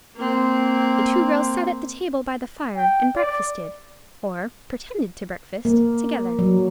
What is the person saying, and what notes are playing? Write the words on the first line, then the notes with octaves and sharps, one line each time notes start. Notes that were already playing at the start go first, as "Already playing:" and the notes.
The two girls sat at the table by the fire, and breakfasted, or pretended to breakfast, together.
A#3 C4
G5
D5
A#3
F#3